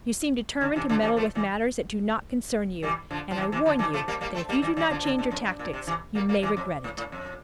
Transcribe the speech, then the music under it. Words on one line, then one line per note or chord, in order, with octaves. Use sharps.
You seem determined to meddle with matters that do not concern you, and I warn you that if you do not change your tactics you may regret it.
D3
C3 E3
D3 F3
E3 G3
F3 A3
E3 G3
E3 G3
D3 F3
F3
C3 E3
C3 E3
D3 F3
E3 G3
F3 A3
G3 A#3
G3 A#3
A3 C4
G3 A#3
E3 G3
E3 G3
D3 F3
D3
C3
F2
G2
A#2
C3
C3 E3
G3 A#3
G3 A#3
C3 E3
F2
A2
A2
F2